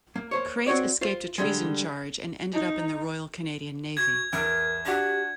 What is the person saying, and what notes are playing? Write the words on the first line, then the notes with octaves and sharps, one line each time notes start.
Crate escaped a treason charge and ended up in the Royal Canadian Navy.
A#3
A#3 C5 C#5
C4 F#4 C#5 D5
F4 C5
D3 G3 G#3
D#4
F#4 G#6
E2 A#4
D4 F#4 G4